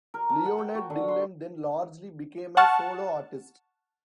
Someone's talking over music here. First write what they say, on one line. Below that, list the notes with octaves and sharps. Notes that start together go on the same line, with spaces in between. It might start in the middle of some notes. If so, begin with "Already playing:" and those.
Leonard Dillon then largely became a solo artist.
A#4
A5
F#5
G5
F#4
D3
C6
F#5 A5 C#6 F6